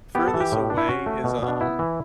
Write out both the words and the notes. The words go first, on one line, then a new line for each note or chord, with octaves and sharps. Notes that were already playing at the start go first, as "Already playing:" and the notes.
furthest away is, um,
B3 G4
A4
E3
G4
A2
D4
E4
C#4 F#4
A3
B2
B2
D4
B3 E4
E3